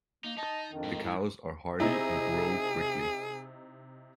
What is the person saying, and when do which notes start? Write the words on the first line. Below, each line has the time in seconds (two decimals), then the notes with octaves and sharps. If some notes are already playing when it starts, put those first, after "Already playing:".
The cows are hardy, and grow quickly.
0.24 A#3 D#4
0.38 D#4 D#5 A5
0.71 F2 D#3 D4
0.84 G#2
1.04 E4
1.80 C3 D#4 E4 G#4